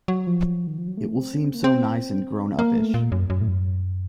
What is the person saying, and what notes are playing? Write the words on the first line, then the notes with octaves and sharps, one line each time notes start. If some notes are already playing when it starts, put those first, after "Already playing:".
It will seem so nice and grown-uppish.
F#3
F3
D#3
F3
F#3
A3
C4
C#4
C4
A#3
C4
A#3
A3
A#2
F#2
F#2
A2
F#2